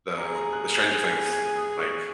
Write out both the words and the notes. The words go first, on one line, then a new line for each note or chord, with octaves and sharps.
the the Stranger Things, like,
G#4 A#5
A#5
F#6
F#6
F#6
F#6
G#6
D#6
C#6